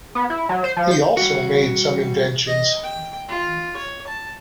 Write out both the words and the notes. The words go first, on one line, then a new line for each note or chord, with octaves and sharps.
He also made some inventions.
B3
E4
F#3
C5
F3
G6
G3 F#4
D#5
G5
F4
C#5
A5